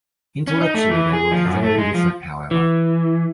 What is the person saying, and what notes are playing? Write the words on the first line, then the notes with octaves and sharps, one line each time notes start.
Intellectually they were very different, however.
C#4
D#4
A3
E3
G#4
F3
F#2
A3
G#3
F3
E3